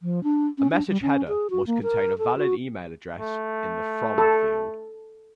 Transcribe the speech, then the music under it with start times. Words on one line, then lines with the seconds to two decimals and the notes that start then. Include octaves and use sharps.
A message header must contain a valid email address in the From field.
0.02 F3
0.23 D4
0.58 C#4
0.72 D4
0.89 G3
1.02 C#4
1.28 G#4
1.50 F#4
1.67 A#3
1.83 A#4
2.18 A4
2.37 F#4
3.20 A3
4.18 A4